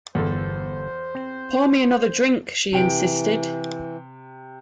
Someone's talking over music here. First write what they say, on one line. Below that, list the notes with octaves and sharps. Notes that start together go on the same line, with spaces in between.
"Pour me another drink," she insisted.
G1 E2 A4 C5
C4
C3 E3 G5 D7